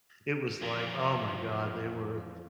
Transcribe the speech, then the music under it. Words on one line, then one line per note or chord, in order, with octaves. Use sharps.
it was like oh my god, they were
F2 E3 F4 A#5